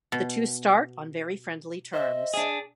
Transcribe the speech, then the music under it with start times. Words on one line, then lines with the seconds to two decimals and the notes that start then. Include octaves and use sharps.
The two start on very friendly terms.
0.12 B2
1.94 C5 D#5 E5
2.34 D4 G#4